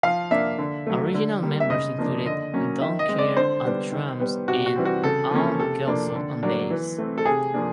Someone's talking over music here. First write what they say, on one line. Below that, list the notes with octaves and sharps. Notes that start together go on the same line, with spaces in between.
Original members included Don Kerr on drums and Al Kelso on bass.
F3 F5
A#3 D4 E5
D3
F#3 A3
D3
G3 A#3
E5
C#3 D#5
F3 A#3 D4
D3 D#5
F#3 A#3 C#4
D#3 E5
D#5
G#3 C4
D5
D3 C5
G3 B3 D4
D#3
G3 B3
C3 F#4
F#4
E3 G3 C4
F#4
C#3 A4
F3 A#3 C#4
C3 A4
F3 A#3 D4
D3
F#3 A#3 D4
E3
A3 C4
A4
C3 G#4
F3 A#3 D4